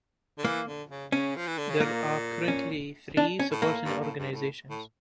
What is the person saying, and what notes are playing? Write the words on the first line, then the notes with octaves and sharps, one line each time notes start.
There are currently three Supporting Organizations.
D3
E3 A#3
D3
C#3
C#3 C#4
F3
E3
D3
C#3
A#2 A#3
C#4
D4
C#4
A2
A#3
G2
A2
G2
G2
A2
A2